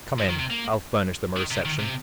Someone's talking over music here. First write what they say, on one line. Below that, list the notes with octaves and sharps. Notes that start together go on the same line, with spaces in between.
Come in; I'll furnish them a reception.
F3
D#3
C3
A#3
D#3
C3
D#3
C3